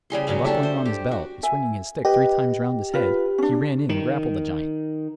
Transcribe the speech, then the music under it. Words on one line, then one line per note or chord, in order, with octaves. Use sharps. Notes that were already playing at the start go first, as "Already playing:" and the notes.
And buckling on his belt and swinging his stick three times round his head, he ran in and grappled the giant.
C#3 G3 G#4 C6
C#3 F#3 G3 C#4
D4 G4 A4 E5
C5
G4
F#4
E5 G#5
G4 B4 D#5
F4 B4
C#4 D4
D#3